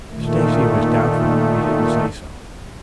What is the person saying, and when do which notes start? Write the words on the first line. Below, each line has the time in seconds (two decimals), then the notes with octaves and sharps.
If Stacy was doubtful he did not say so.
0.12 A#2 D#3 A3